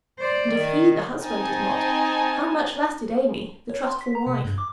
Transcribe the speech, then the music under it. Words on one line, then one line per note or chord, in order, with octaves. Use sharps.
And if he, the husband, did not, how much less did Aimee, the trustful wife?
C5 D5
D#3
C4 D#4 G#5 A5
C#5
C6
B6
A#5
C3
G2
D6